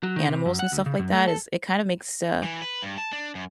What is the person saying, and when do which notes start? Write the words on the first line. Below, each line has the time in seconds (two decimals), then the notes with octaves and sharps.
animals and stuff like that is it kind of makes, uh,
0.03 F#3
0.16 D#3
0.28 C3
0.46 F#2
0.59 F#5
0.72 D2
0.86 C#3
0.99 F#2
1.13 A3
1.28 A4
2.43 E3
2.62 B4
2.82 G2
2.98 A5
3.13 D4
3.35 F#2